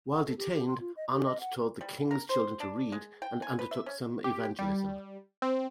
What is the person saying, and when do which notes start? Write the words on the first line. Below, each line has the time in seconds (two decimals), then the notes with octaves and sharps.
While detained, Arnot taught the king's children to read and undertook some evangelism.
0.10 F#5
0.26 A4
0.38 G4
0.53 G4
0.67 C6
0.80 F4
0.96 D#5
1.10 G4
1.25 D#5
1.40 F#5
1.81 G3
2.11 A#4
2.29 C5
2.60 D4
2.92 G#3
3.22 G5
3.42 G#5
3.59 B4
3.71 E5
3.86 C#4
4.24 G4
4.59 G3
5.42 C4